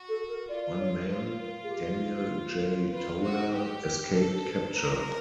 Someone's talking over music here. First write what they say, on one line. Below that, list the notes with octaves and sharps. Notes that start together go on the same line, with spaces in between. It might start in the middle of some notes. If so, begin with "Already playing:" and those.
One man, Daniel J. Toler, escaped capture.
Already playing: F#4
A4
A#4
F4 D5
C#5
F4 C5
A#4
G#4
G4
A#4
F4 B4
F#4 C5
G4 B4
A#4
A4 A#4
B4
C5
B4
A#4